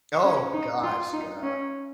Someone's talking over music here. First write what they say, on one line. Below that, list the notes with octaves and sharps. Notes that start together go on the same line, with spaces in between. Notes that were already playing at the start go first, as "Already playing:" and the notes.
Oh, gosh, yeah.
C#4
D#4
F4
D#4
C#4